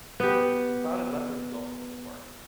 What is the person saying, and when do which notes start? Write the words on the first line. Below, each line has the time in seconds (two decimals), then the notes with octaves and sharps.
The clouded leopard is also in the park.
0.20 B3 G4